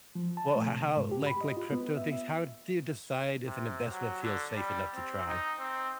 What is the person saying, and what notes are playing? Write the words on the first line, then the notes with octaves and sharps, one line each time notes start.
well, h how, like like, crypto things how do you decide if an investment feels safe enough to try?
F3
A5
A3
C3
G#2
G4
B5
D#5
F4
B3
E5
E5
C3
F#3
D3
G3
C4
D#4
C4